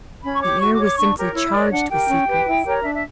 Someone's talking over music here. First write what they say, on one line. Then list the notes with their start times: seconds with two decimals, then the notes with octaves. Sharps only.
The air was simply charged with secrets.
0.23 C#4 B5
0.34 C#6
0.41 G4 C#5 D6
0.60 F#4 C#6
0.73 D6
0.79 C#5
0.85 D6
0.97 D4 C#6
1.16 G4 A#4 C#5
1.34 E4 C#5
1.48 E5
1.53 A#4 C#5 D5
1.71 D4 F#5
1.90 G4 A#4 G5
2.08 C#4
2.27 G4 B4
2.46 E4
2.64 G4 A#4 C#5
2.82 D4 E5
2.94 E5